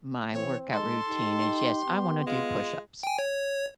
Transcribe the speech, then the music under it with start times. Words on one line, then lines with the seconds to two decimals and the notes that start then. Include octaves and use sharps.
my workout routine is, "Yes, I wanna do push-ups,
0.33 E3 C4 C#5
0.72 G#3 D#4 A4 C6
1.09 D#4 G4
1.88 B3
2.26 G#3 F4
3.03 G5 G#5
3.19 C#5